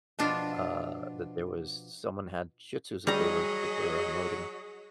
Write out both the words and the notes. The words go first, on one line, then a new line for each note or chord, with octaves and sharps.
uh, that there was s someone had Shih Tzus that they were that they were unloading
B2 F3 D4 F4
F#3 G3 G#4 D#5 A#5